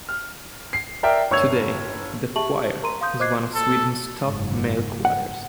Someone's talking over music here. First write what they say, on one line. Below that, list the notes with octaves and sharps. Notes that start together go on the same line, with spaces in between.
Today, the choir is one of Sweden's top male choirs.
F6
C7
A#4 D5 E5 G5
G1 C#5 C#6 E6 G#6 F7
G4 G#4 E5 A5 C#6 F#7
A#4 A#5 C6 D#7
F5 C6 D#6 G6
C5 D#5 D6 F#6 G#6 C7
A4
F#1 G#2
F#5